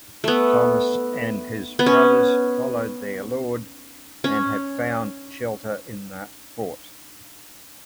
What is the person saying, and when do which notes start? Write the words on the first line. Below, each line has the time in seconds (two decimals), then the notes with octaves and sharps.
Thomas and his brothers followed their lord and have found shelter in the fort.
0.24 A3 B3
1.79 B3
1.86 C#4
4.24 C#4